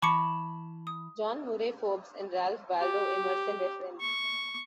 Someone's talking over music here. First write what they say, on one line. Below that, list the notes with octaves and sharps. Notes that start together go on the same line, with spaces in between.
John Murray Forbes and Ralph Waldo Emerson were friends.
E3 A5 B5 C#6 D6 C#7
D#6
G4
C#6